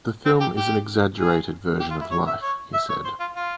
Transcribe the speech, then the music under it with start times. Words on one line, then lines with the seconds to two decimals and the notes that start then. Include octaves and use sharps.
"The film is an exaggerated version of life," he said.
0.25 C4
0.40 G4
0.57 G4
1.19 G#4
1.80 G4
1.91 F4
2.01 E4
2.11 C#5
2.27 E5
2.42 C#5
2.74 E5
2.90 C#5
3.05 C5
3.20 F4
3.36 F4